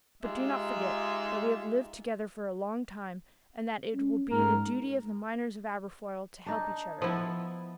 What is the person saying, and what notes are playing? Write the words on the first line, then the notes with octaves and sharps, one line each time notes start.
But do not forget that we have lived together for a long time, and that it will be the duty of the miners of Aberfoyle to help each other.
G#3 D#4 F4 G4 E5
C#4
G#2 A#4
D4 D#4
F3 B3 E4 A4